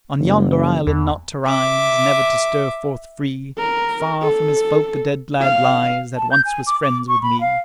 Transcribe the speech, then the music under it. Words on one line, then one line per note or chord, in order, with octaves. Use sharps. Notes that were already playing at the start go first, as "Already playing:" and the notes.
On yonder island, not to rise, Never to stir forth free, Far from his folk a dead lad lies That once was friends with me.
F#1
E2
E5 D6
A#4
A4
F5
A5
G6
G#5
D6
D6
C#6
B5
F5